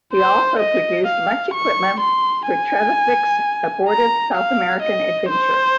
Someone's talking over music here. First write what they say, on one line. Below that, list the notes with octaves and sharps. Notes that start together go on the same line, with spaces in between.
He also produced much equipment for Trevithick's abortive South American adventure.
C5
D#5
F5
C#6
C6
G#5
A#5
F5
D#5
C5